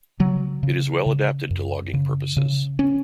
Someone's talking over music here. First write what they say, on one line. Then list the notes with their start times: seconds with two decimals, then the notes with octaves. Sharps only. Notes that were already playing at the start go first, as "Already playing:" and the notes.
It is well adapted to logging purposes.
0.20 C#3 F#3
0.63 C#3
1.06 C#3
1.50 F#2
1.94 C#3
2.37 C#3
2.79 C#4